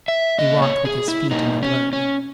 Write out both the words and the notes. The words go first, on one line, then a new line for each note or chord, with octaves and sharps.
He walked with his feet in the blood.
E5
B2 A#3 D#5
C#5
G#4
E4
B2 A#3 D#4
C#4
C#4